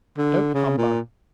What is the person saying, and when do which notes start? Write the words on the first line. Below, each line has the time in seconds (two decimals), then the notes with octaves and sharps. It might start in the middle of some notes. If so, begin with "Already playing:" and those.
'Don't humbug!
0.18 D3
0.54 C#3
0.78 A#2